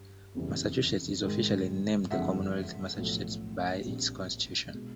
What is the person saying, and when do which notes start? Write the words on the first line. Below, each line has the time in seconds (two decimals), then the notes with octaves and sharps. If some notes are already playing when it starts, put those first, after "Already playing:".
Massachusetts is officially named "The Commonwealth of Massachusetts" by its constitution.
Already playing: G2
0.34 F1 E2 C#3 E3 G3
1.23 G#2 D#3 G#3
2.11 F#1 F2 D3 F3 G#3 E5 F#5
2.98 B1 A2 F3
3.86 A#1 A#2 G3 C4
4.74 B2 G#3